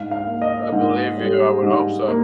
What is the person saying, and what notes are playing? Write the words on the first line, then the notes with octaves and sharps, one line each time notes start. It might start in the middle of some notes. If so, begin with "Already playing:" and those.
I believe you, I would hope so.
Already playing: G#2 F5
F5
A#3
D#5
G#2
G3
G#2
A#3